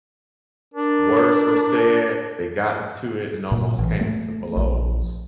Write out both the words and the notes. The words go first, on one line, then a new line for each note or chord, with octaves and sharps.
Words were said, they got into it, and almost came to blows,
D4 A#4
A#2
A1
A3
A#1